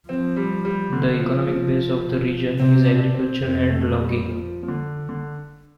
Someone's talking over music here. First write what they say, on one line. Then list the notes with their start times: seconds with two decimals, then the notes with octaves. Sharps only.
The economic base of the region is agriculture and logging.
0.09 F3 C4
0.36 G3
0.65 G3
0.92 D3
1.19 F3
1.48 F3
2.59 C3 C4
2.87 D4
3.14 C4
3.42 F2 C4
3.70 A3
3.99 G3
4.25 F3
4.63 F3
4.68 D3
5.09 D3